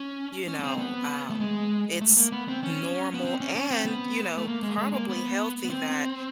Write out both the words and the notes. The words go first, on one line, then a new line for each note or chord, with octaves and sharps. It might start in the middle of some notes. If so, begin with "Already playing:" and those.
you know, um, it's normal and, you know, probably healthy that
Already playing: C#4
C#4
C#4
C4
B3
A3
G#3
A3
A#3
B3
C4
C#4
B3
C4
C#4
C#4
C4
B3
A3
A#3
G#3
G#3
A#3
B3
B3
C4